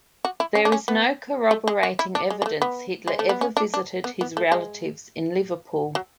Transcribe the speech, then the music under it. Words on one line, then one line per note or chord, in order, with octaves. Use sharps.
There is no corroborating evidence Hitler ever visited his relatives in Liverpool.
F#4
E4
C#4
D4
C#4
B3
A3
G#3
F#4
E4
D4
G#3
G#3
A3
B3
G#3
A3
B3
C#4
D4
D4
B3
B3
A3
G#3
F#3